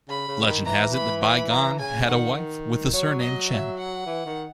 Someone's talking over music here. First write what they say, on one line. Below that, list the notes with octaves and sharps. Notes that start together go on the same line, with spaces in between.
Legend has it that Bi Gan had a wife with the surname Chen.
C#3 B5
C#3
D#3
E3 A#5
B5
B5
A#5
C#3 G#5
D#3 F#5
D#3
F#3 C#5
D#5
E5
F#5
E3
D#3